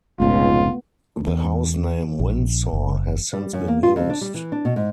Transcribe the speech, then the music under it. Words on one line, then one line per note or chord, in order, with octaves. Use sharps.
The house name Windsor has since been used.
F1 C#2 G#2 B2 A3 B3 F4
E2
A#1
F#1
G3
F#2
A#3
F4
F2
D4
G3
E3
D4
B2
G#2